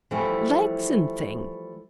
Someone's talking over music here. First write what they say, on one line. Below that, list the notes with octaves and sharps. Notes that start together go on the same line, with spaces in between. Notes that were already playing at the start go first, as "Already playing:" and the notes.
Legs and things!
E3 F3 G3 A3 E4